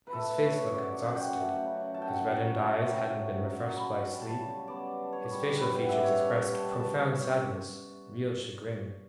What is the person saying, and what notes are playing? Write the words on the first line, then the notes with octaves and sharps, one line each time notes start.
His face looked exhausted; his reddened eyes hadn't been refreshed by sleep; his facial features expressed profound sadness, real chagrin.
B4
A3 A4
C#3 C#5
F#2 D5
F#3 F#5
G5
F#5
A3
C#3
F#2 A5
G5
F#5
G5
F#3
A3
C#3 G5
F#2
F#3
D4 B5
G3
A5
C#3
B3 D5
D4
C#5
G3 D5
C#5
C#3 B4
G5
F#5
B3 E5
D5
C#5
D4
G3 A5
G5
A5
C#3